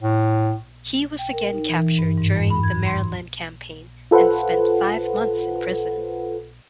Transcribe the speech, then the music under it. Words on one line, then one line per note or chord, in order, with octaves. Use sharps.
He was again captured during the Maryland Campaign and spent five months in prison.
A2
G5
A#4
D#4
E3
G2
G#2
F2
B5
G#6
C6
F4 A4 B4 C5 F#5